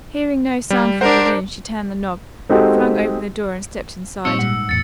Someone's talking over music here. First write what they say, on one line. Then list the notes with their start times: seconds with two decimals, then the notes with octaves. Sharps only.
Hearing no sound from within she turned the knob, flung open the door and stepped inside.
0.70 G3
1.01 D4 A#4 C5 F#5
2.49 G#3 C4 D#4 F#4 G4 A4
4.25 A#2 G3 C4 D#4 C#5 E6 C#7
4.39 G#2 F#5
4.69 E2 A2 A6 C#7